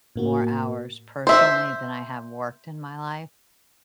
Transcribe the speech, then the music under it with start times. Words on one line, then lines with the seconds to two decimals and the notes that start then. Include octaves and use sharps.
more hours personally than I have worked in my life,
0.16 A2 A#3 F#4
1.27 C5 E5